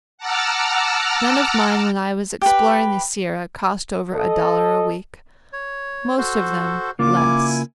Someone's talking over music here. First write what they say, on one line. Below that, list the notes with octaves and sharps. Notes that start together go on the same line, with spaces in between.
None of mine when I was exploring the Sierra cost over a dollar a week, most of them less.
F#5 A5 A#5 D6 E6 F6
G4 B4
A4 D#5
C#5
F#4 A4 C5
C#3 A#3 F4 D6
E4 G#5